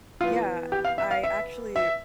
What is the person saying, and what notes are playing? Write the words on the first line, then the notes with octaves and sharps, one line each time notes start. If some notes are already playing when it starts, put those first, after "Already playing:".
Yeah, I actually,
E3 B3 F4
G4
F5
E5
F5
E5
E5